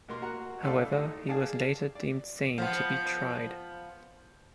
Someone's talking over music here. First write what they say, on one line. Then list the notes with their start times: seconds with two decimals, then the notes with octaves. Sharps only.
However, he was later deemed sane to be tried.
0.08 B2 A#3 C6
0.22 F#4 A#5
0.62 C#2 A2 A4 D5 F5
0.93 A3 D#4
1.28 G#4 D5 F5 A5
1.95 D5
2.58 F3 B3